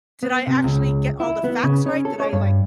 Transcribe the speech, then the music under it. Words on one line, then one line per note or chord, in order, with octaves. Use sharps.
did I actually get all the facts right? Did I, like
B3
C3
C#2
E4
B3
C#3
C#4
A4
C#5
G2